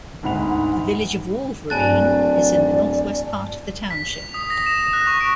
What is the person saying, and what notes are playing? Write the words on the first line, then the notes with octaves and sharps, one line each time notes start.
The village of Wolverine is in the northwest part of the township.
D2 G#2 F#5 B5 F7
D1 G2 D5 G#5 A5 F#6 A6
B6
F7
D#6
A#6
E7
F#6
C#6
D7